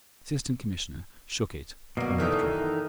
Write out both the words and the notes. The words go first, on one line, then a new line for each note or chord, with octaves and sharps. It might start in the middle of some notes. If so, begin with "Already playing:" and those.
The Assistant Commissioner shook it, and withdrew.
B2 D3 F#3 A#3
F#2 D#3 E3 D#4 A4 E5